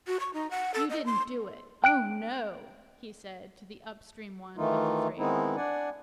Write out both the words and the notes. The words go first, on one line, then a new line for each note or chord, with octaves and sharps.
"YOU didn't do it--oh no!" he said to the up-stream one of the three.
F#4
C#6
D#4
F#5
A4
D#5
C6
G5 F#6 D7
D#3 E3 A3 D#4 F4
D#3 G#3 B3 C4 D#4 E4
D4 D5 F#5 G#5